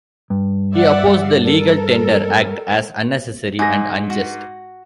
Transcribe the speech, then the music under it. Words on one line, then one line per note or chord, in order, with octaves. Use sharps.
He opposed the Legal Tender Act as unnecessary and unjust.
G2
D5 E5 F#5
A4 A#4
G#2 G#4 A#6
F#4